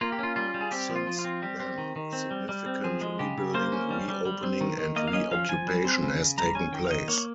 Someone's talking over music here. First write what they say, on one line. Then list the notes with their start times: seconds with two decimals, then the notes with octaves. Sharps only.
Since then, significant rebuilding, reopening, and reoccupation has taken place.
0.01 A#3 F4
0.12 G4
0.19 C#4 F4
0.36 G3 F4
0.54 G3
0.61 G#4
0.72 C4 G4
0.89 F3
0.96 F4
1.07 F3
1.19 F4
1.24 C4
1.42 G3 G4
1.60 C4
1.78 D#3
1.96 D#3
2.13 C4
2.31 G3
2.49 G3
2.66 C4
2.84 F3 G#4
3.01 G#3
3.19 C#3 G4
3.38 C#3
3.54 A#3 C5
3.72 C#4
3.90 G3
4.08 G3
4.25 G3
4.43 C4
4.61 D#3
4.78 D#3
4.96 A#3 D#5
5.08 F5
5.13 C#4 D#5
5.31 F3 F5
5.49 F3 G#5
5.67 G3
5.85 C4
6.02 C#3
6.20 C#3
6.38 G3 A#5
6.55 C#4 G#5
6.72 D#3 G5
6.87 F5
6.91 D#3 D#5
7.08 A#3 C#5